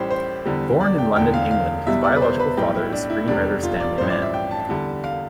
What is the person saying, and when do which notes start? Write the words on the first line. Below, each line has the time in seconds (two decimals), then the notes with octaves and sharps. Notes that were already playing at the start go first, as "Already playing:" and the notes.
Born in London, England, his biological father is screenwriter Stanley Mann.
Already playing: A1 A2 G3 G4 C5
0.10 C5
0.45 E2 D3 G3
0.81 D5
0.98 G5
1.16 E1 E2 D3 G5
1.34 F5
1.51 F5
1.87 E2 B2 G3 E5
2.04 D5
2.16 B4
2.22 C5
2.40 B4
2.57 B1 A2 G3 G4
2.75 E4
2.93 D4
3.10 E4
3.28 F1 E2 C3 G3 D4
3.63 F4
3.80 D5
3.98 A1 G2 F3 C5
4.10 D5
4.22 E5
4.34 G5
4.51 A5
4.69 E2 D3 G3
5.04 F5